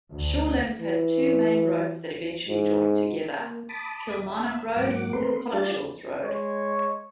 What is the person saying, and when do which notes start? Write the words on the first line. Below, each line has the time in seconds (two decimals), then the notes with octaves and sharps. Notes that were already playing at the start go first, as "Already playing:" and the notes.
Shawlands has two main roads that eventually join together, Kilmarnock Road and Pollokshaws Road.
0.12 D2
0.80 E3
2.48 G#2
3.38 A#3
3.69 A5 B5 D6 D#6
4.26 E5
4.76 G#2 F#3 A#3 F#5 D6
5.13 A3 B3 C4 A#4 B4 C6
5.53 G3 D4 F4 G4 D5 A6
6.24 G#3 C#5